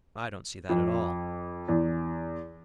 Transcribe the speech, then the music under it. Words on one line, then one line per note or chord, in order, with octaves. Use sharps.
"I don't see that at all."
F2
E2